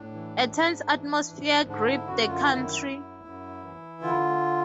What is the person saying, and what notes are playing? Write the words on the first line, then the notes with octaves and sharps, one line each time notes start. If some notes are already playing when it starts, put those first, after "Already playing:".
A tense atmosphere gripped the country.
Already playing: A2 D4
E3
G#2
E3
G#2
D3 D4
E4
F#2 F#4
F4
D#3 E4
F#2
F#2
E3
D3 F4